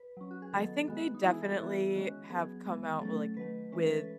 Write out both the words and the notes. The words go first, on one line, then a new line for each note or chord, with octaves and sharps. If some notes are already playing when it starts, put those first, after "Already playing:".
I think they definitely have come out with, like with
Already playing: B4
F#3 C#4
F#4
G#4
D#3 F#3 B3 A4
D#3 G#3 B3 F#4
D#4
E3 G#3 B3 E4
G#4
A4
F#4
E3 B3 E4
D#3 G#3 C#4 F#4
F#3 B3 G#4
E3 G#3 B3
F#3 A3 C#4 A4
D#3 F#3 A3 B4
E3 G#3 C#4 B4
A4
B4